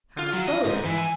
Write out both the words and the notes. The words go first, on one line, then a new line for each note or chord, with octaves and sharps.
How so?
F4
F#3
D#5
G#2
E3
G#5